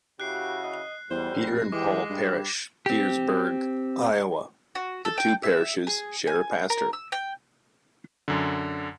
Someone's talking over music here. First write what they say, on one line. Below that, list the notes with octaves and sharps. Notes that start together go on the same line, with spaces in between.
Peter and Paul Parish, Petersburg, Iowa - the two parishes share a pastor.
C#3 E4 F#4 G4 F#6 C7
D#5
B1 E2 G#2 G3 C5
F1 A#6
E3 G#3 G4 D6
G2 G3
C4 G4
F#4
A4
G5
E5
G#4
G#5
A#4
E6
G5
F#2 D3